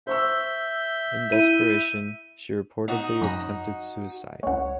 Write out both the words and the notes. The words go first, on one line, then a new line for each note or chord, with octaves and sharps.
In desperation, she reportedly attempted suicide.
C5 E5 C#6 E6 G6
E4 D#7
D#4 F#4
F#2 C#4 A#6
C#2 G#3 C#5 F#5